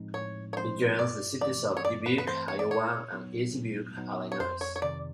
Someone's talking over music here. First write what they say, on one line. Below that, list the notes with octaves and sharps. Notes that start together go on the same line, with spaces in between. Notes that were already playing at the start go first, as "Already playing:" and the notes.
It joins the cities of Dubuque, Iowa, and East Dubuque, Illinois.
Already playing: A2 F3 G#3 C4 D#4
A2 C#5
C#5
F3 G#3 C4 D#4 C5
G2 D5
E3 A3 C4 D5
C#5
G2 D5
B4
B4
E3 A3 C4 C5
C#5
D5
A#2 C#5
F#3 B3 D#4
A#2
F#3 B3 D#4
C#5
F2 C5
C#5
C#5
C3 D#3 D5